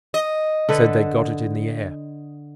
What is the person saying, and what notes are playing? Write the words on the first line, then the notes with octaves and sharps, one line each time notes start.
Said they got it in the air.
D#5
D3 A4 B4